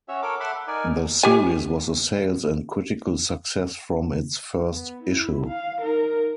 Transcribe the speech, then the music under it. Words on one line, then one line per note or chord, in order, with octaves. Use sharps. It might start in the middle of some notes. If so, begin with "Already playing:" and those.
The series was a sales and critical success from its first issue.
C#4 F#4 C#5 E5
A4 A#4 C#5 D6
A4 E5 F#5 B5 C6 D6
F#5
D#4 A#4 D5 G#5
G4 G#5
B3
E4
F5
D#4 A#4